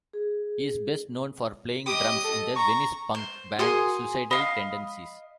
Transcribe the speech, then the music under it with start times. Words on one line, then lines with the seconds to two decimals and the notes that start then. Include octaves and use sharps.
He is best known for playing drums in the Venice punk band Suicidal Tendencies.
0.13 G#4
1.86 G4 D#5 D#6
2.24 A4
2.56 A#5 C#6
3.15 C5
3.59 F#4 G#4 A#4 G#5 C6 D#6
4.31 D#5 F5 B5 D#6